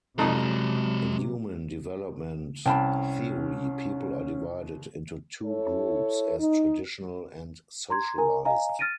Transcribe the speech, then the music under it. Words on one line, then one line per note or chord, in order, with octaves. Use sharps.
In human development theory, people are divided into two groups as traditional and socialized.
F2 C3 F#3 G#3 D#4 D5
C2 C#4 G5 A5 B5
E4 A4 C#5
D#4
A#5 C6 G#6
A#4 G#5 A#5
D#5 F5 G#5 A#5
F6 A6 A#6 D7 D#7